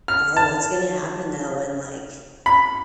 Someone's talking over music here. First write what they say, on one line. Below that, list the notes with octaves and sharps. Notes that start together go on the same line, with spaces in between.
Bro, what's gonna happen though when, like
F6
A5
B5